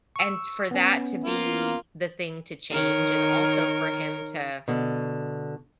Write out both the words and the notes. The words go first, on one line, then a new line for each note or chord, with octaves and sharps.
And for that to be the thing to change and also for him to
C#6 E6
B3 C#4
A#3 F4
D#3 A#4 C#5
B2 D3